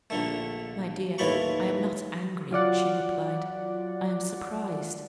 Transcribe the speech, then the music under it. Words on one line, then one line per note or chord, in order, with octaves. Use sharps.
'My dear, I am not angry,' she replied: 'I am surprised.
A#1 D3 A3
D#2 A2 E3 F4 B5 C#6
F#3 F4 D5 F#5